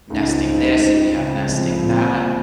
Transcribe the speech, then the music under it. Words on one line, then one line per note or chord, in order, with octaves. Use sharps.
nesting this and we have nesting that.
C#2 D#4
C4
C#3
G#3
C#2
C4
C#3
G#3
C2 F3
C2
A#2
F3